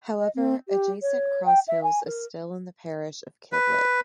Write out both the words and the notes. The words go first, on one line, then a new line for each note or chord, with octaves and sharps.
However adjacent Cross Hills is still in the parish of Kildwick.
D#5
C4
G4
C#5
G5
E5
G#5
A#4
B4